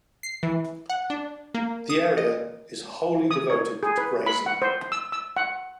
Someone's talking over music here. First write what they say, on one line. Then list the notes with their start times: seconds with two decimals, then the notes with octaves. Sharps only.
The area is wholly devoted to grazing.
0.23 C7
0.43 E3
0.90 F#5
1.10 D4
1.54 A#3
1.90 D#6
2.18 D#5
3.31 D#6
3.50 C#5
3.83 G#4
3.98 B4
4.26 B5
4.46 F#5
4.62 C5
4.92 E6
5.12 E6
5.37 F#5